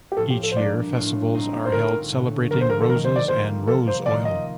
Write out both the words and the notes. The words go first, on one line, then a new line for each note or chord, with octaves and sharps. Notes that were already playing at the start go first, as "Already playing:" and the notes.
Each year, festivals are held celebrating roses and rose oil.
G4
A2 F3 C4 A4
G4
A4
C5
A#2 G3 D4 G4 D5
A2 A3 D4 F4
A2 A3 C4 D#4
C5
D3 A3 C4 F4 A#4
A2 A3 D4
D3 F3 C4 G4 A#4
C5
A#4
A4
D#3 A3 C4 A#4
C5
D5
G3 A#3 F4 C5
C3 F3 A#3 A4
C5
D#3 G3 A#3 F4 D5
D#5